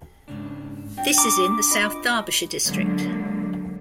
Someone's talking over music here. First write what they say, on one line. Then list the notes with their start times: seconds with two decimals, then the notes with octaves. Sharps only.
This is in the South Derbyshire district.
0.28 G#2 C#3 D4
0.97 D4 F#4 G5
1.18 A#5 D6
1.71 F4 D#5 B5
2.65 D3 F#3 G#3 A#3